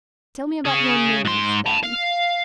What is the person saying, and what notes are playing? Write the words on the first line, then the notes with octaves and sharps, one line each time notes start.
"Tell me about your ninnies, then."
C#4 G#4
G#2 C6
A5 B5
F5